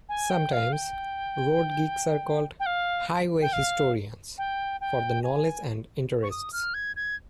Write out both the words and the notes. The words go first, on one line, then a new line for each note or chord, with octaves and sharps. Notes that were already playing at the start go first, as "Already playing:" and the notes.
Sometimes, road geeks are called "highway historians" for the knowledge and interests.
G#5
G5
F5
G5
G5
F5
G5
F5
G5
G5
G#5
C#6
D#6
F6
G#6
G#6